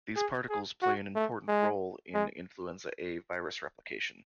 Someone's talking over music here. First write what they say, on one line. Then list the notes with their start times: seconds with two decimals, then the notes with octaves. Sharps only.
These particles play an important role in influenza A virus replication.
0.16 G#4
0.50 G#4
0.82 F#4
1.16 A3
1.48 G#3
2.14 G#3